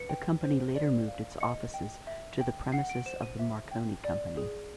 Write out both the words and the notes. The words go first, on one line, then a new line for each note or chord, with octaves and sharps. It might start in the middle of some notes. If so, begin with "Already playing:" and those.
The company later moved its offices to the premises of the Marconi Company.
Already playing: B4 C#7
G5
C5
D5
F5
D#5 C#7
G5
E5
G5
F#5 C7
D7
C5 E7
D#7
E5
G5
D5
G#4